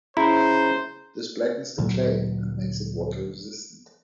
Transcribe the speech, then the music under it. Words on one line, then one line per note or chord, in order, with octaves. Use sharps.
This blackens the clay and makes it water resistant.
C#3 E4 C5 A#5
D2 A#2 F#3